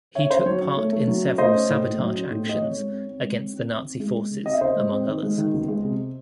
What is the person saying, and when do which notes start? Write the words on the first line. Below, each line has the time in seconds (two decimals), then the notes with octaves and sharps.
He took part in several sabotage actions against the Nazi forces, among others.
0.15 C#4 C#5 E5
0.30 C#4 C5
0.46 F#3 C#5
0.61 C#4 C#5
0.77 A3
0.92 A3
1.07 F#3
1.23 C#4
1.38 A3 C5 D#5
1.54 C#4
1.69 A2
1.84 A2
2.00 F#3
2.15 C#4
2.31 A2
2.46 A3 D#5
2.61 C4 C#5
2.77 G#3
2.92 C4
3.07 C4
3.23 G#3
3.38 C4
3.53 C4
3.69 C4
3.85 C4
4.00 G#3
4.15 G#3
4.31 C#3
4.46 C4 D#5
4.54 E5
4.61 C#3 C5 D#5
4.76 G#3
4.91 C4
5.08 D#3
5.23 G#3
5.38 D#3
5.54 C#2
5.68 G#3
5.84 C3